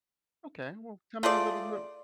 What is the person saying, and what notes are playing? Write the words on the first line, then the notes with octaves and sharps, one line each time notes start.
Okay. Well, tell me a little bit
A3 F4 G#4 D5